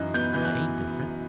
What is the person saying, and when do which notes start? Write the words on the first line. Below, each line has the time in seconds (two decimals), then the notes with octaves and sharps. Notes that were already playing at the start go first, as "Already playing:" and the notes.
I ain't different.
Already playing: F#2 E3 D#4 F#6
0.14 B3 G6
0.33 E3 G6
0.45 F#6